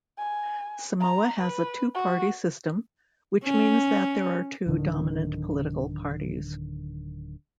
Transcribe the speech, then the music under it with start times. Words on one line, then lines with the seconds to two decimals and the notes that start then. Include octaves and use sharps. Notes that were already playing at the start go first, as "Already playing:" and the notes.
Samoa has a two-party system, which means that there are two dominant political parties.
0.18 G#5
1.01 A#5
1.40 B4
1.94 F#4
3.44 C#4
4.67 D1 D3 D#3